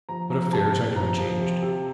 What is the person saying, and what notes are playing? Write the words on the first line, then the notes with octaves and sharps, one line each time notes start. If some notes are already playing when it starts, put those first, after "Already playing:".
But affairs are now changed.
F3 A#5
F3 A#5
C3 A5
C3
F3 A#5
F3
C3
C3